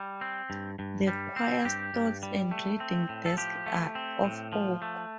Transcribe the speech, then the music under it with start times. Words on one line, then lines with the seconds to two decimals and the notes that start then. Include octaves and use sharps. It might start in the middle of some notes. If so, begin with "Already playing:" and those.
The choir stalls and reading desk are of oak.
Already playing: G3
0.21 C4
0.50 G2
0.79 G2
1.08 G3
1.36 C4
1.65 G2 G4
1.94 G2
2.23 G3
2.51 A3
2.80 C4
3.09 A2
3.26 A4
3.37 F3 G4
3.66 A3
3.95 C4
4.24 A2
4.53 F3
4.82 A3